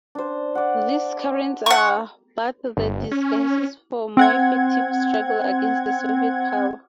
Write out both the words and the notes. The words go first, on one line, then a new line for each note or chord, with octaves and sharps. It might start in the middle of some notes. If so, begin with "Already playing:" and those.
These currents are but the disguises for more effective struggle against the Soviet power.
D4 C5
D5 F#5
F#5 C#6
G1
C#4
C4 F#5 G#6